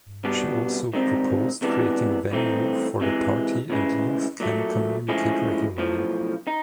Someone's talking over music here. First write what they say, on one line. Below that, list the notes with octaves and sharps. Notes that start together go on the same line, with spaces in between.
She also proposed creating "venue" for the party and youth can communicate regularly.
C2 B2 G3 B3 D4
G#2 D#3 G3 C4 D#4
C3 E3 G#3 B3 D4
G2 E3 A3 C4 D#4
C3 E3 G#3
D2 C#3 E3 G#3
A#2 F#3 A3
A2 F3 G#3 C#4 E4
B1 A2 F3
D#4